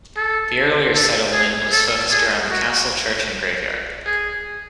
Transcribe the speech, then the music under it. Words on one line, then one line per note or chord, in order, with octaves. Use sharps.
The earlier settlement was focused around the castle, church and graveyard.
A4
A4
G#4
A4
G#4
F#4
G#4